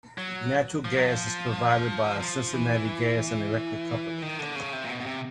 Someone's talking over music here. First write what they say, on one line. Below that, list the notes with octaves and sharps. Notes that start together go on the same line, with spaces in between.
Natural gas is provided by the Cincinnati Gas and Electric Company.
F#3
F3
F#3
F3
F3
E3
D#3
D3
C#3
C3
A#2
B2
B2
C3